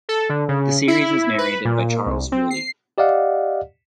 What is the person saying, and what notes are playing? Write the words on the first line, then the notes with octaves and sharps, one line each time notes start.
The series is narrated by Charles Wooley.
A4
D3
C#3
E4
B4
A#2
C2
C4
C7
G4 D5 D#5 F5 F#5